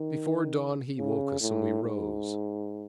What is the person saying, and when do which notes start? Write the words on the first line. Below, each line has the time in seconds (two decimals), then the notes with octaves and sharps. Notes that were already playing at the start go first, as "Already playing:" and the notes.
Before dawn he woke us, and we rose.
Already playing: D#3
0.98 C#3
1.41 A2
1.83 G#2